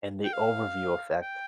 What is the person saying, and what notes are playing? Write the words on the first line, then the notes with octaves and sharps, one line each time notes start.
And the overview effect
G5
F5
G5